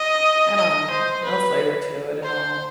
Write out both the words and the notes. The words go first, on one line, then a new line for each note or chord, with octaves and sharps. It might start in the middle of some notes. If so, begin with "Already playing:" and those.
I don't know, no flavor to it at all.
Already playing: D#5
D#5
C5
B4
C5